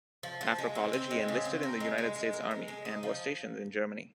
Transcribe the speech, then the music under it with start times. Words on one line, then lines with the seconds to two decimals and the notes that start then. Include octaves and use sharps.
After college, he enlisted in the United States Army, and was stationed in Germany.
0.23 F3
0.41 F3
0.58 G#3
0.75 C4
0.93 C4
1.11 G#3
1.28 C#3
1.45 C4
1.63 A#4
1.80 G#3
1.98 G#3
2.15 G#3
2.33 A#4
2.51 G#3
2.68 G#3
2.85 D#4
3.03 F3